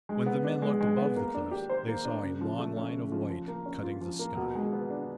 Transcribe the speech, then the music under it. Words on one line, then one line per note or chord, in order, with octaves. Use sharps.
When the men looked above the cliffs they saw a long line of white cutting the sky.
G#3
B3
D4
G#3
G#3
B3
A#3
D4
G4
C5
A#3
D4
C#3
F3
A3
C#4
C#3
F3
F3
A#3
C#4
F4
F3
A#3
B2
G#3
B3
D4